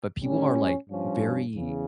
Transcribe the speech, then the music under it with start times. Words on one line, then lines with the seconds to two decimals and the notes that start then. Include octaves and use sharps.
but people are, like, very,
0.20 A2 G3 C#4
0.88 G2 F3 C#4
1.55 E2 C#3